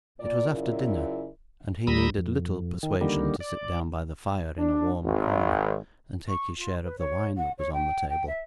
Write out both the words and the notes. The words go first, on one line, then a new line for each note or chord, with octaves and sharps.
It was after dinner; and he needed little persuasion to sit down by the fire in a warm corner, and take his share of the wine that was on the table.
A#2 D5
F#2 C#3 E4 F4 A#4 D5
D#2 G3 A#5 B5 D#6 E6
F2
D#3
D3 D#3 G3 A#3
D5
D4
G#1
C#6
F4
B4
C#5
F#5
C#5
G5
G5
E5